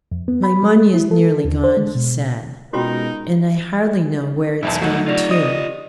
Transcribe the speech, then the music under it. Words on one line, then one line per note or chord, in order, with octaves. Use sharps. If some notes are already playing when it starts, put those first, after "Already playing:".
"My money is nearly gone," he said, "and I hardly know where it's gone to."
F2
B3
B5
G#3
E4
A4
D#2
C5
G#3
B2
B2 G#3 C#4 D#4 F4 F#4 A#4
B1 E2 G#2 G4 E5 A5
C#3 F#3 G3 A3 D#4 F#4 F#5
F4 G4 D5 A#6 F7
D#5 D#6